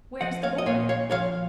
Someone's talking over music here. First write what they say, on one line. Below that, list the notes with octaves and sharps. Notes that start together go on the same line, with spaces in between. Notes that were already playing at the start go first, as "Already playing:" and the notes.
"Where is the boy?"
F3 D#5 F#5
C#5 F5
D#5
A#2 C#5 F5
C#5 F5
F3 C#5 F5